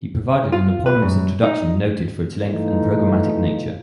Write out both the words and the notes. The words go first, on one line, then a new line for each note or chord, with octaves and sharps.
He provided an eponymous introduction noted for its length and programmatic nature.
F4
B4
F#2
D#4
E3 A3 D#4 F4